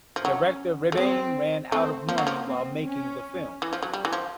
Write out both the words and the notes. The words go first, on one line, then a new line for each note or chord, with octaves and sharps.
Director Rebane ran out of money while making the film.
F3
F#3 C#4
A3
G#3 C4
A3 C4
F3 A#3
F#3
F3
C4
C#4
E3
F3
F#3
G3
E3
F3